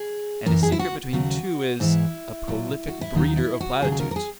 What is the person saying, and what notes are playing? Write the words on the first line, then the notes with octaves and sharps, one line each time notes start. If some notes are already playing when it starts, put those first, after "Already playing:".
And a secret between two is--a prolific breeder of platitudes!
Already playing: G#4
F#2 E3 A#4
G#4
E4
F#4
D#2 C#3 F#3 F#4
G#2 E3 E4
A#2 F#3
F#4
E4
D#2 D#3 F#3 D#4
E4
F#4
D#2 C#3 F#3 G#4
G#4
A#4
A#4
G#4